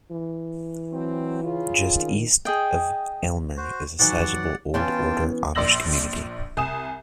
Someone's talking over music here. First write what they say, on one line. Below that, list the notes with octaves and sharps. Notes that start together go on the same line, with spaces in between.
Just east of Aylmer is a sizable Old Order Amish community.
E3
F#3 C4
C#3 F4
D#3
G#4 D#5 G5
F#4 C5
D#3 E3 F#3 D5 F#5
E3 B3 C#4 F4 G5 A5
A#1 D5 C6 E6 A#6 F#7
C2 G#5 D#6 E7